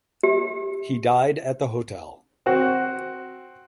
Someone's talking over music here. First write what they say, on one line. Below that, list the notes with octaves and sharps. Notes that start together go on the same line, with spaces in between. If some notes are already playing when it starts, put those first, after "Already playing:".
He died at the hotel.
G4
C4 F#4